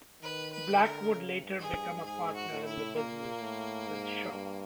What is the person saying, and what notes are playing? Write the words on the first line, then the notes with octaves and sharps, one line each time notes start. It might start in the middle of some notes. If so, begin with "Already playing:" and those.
Black would later become a partner in the business with Shaw.
D#3 B4
B4
D3
A#4
C#3
G2
G#4
G2
G#2 G#4
F#4
A2
E4
A#2 A#3
A2
G#2
G2